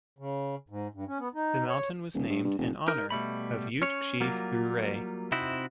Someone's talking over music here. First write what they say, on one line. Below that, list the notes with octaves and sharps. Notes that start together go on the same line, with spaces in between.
The mountain was named in honor of Ute Chief Ouray.
C#3
G#2
G2
C#4
B3
D#4
C#5
D#1
G2
G2
F1
D#4 A#4
B2 G3 A3 B5
C#4 C#5
F#3 G3 A#3 F4
C3 C4 D#4 E4 F#4